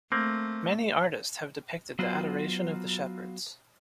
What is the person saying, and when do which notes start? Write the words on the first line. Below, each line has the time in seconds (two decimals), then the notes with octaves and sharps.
Many artists have depicted the Adoration of the Shepherds.
0.12 A3 A#3 C4
1.99 F#3 B3 F4 F#4 C5